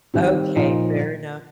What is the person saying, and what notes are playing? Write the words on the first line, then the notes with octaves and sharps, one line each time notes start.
Okay, fair enough.
D#3 G3 C4
A#2 F3 D#4